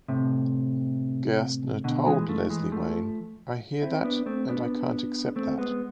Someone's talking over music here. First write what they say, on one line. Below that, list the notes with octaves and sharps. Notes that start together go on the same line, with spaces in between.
Gerstner told Leslie Wayne, I hear that and I can't accept that.
A2 C3
B2 D3
E3 G#3
F3 A3
E3 G#3
F3 A3
C4 E4
B3 D4
A3 C4
B3 D4
A3 C4
G#3 B3